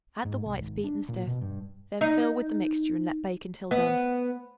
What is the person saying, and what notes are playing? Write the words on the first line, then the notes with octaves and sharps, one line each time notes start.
Add the whites beaten stiff; then fill with the mixture and let bake until done.
G#2
C2
G#1
D4
A#2
B2
G2
D#4
B3